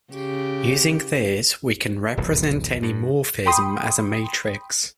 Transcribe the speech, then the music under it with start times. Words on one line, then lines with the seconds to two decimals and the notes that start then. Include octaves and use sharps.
Using this, we can represent any morphism as a matrix.
0.13 C#3 G4
2.17 D#1 B1 E2
2.82 G2
3.46 G5 B5 C6 D#6